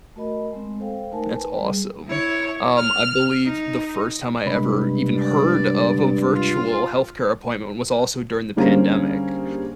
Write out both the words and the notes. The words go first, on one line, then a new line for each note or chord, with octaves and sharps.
That's awesome. Um, I believe the first time I ever even heard of a virtual health care appointment was also during the pandemic.
A3 F#4 A#4 D#5 B5
G#3 C4
A4 C5 F5 G5
A3 D#4 A#4 C5 G#5 A5
B4
G3 G#4
E4 C#5
F6
D#4
G2 C3 G#3 B5
D5
F4
D3 G3 A#3 C#4 G#4 C5